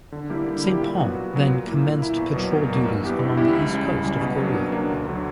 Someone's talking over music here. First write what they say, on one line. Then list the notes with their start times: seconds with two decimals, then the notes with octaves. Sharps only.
"Saint Paul" then commenced patrol duties along the east coast of Korea.
0.12 D3
0.29 G3 A#3 E4 G4
0.46 D3
0.64 G3 A#3 E4 G4
0.81 A#2
0.98 F#3 B3 F#4
1.14 A#2
1.32 F#3 B3 F#4
1.50 A#2
1.67 A#3 E4
1.83 A#2
2.01 A#3 E4
2.16 E2
2.33 B2 F#3 A#3
2.51 E2
2.69 B2 F#3 A#3
2.86 G2
3.02 E3 B3 E4 G4
3.19 G2
3.36 E3 B3 E4 G4
3.53 C#2
3.70 C#3 G3
3.87 C#2
4.04 C#3 G3
4.21 B2
4.38 F#3 A#3 D4
4.55 B2
4.72 F#3 A#3 D4
4.90 D2
5.06 D3 F#3